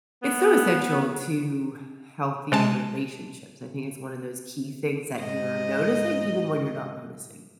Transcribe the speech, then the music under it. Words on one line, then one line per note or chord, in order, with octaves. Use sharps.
It's so essential to h healthy relationships. I think it's one of those key things that you're noticing even when you're not noticing.
B3
C3 G#3 A5
G#2 D#5